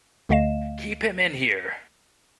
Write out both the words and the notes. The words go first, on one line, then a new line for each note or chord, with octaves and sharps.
Keep him in here!
D2 D3 A3 D#5 F5 E7